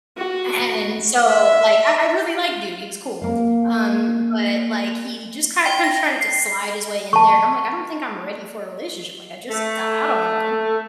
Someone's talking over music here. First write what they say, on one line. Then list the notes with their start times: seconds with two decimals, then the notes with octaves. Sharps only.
and so like I I really like dude, he was cool, um, but like, he just kind kinda tried to slide his way in there, and I'm like, "I don't think I'm ready for a relationship, like, I just got out of one
0.17 F#4
1.25 E5
3.22 A#3 F5
5.66 G5
5.84 A#6
6.21 C7
7.13 A5 C#6
9.51 A3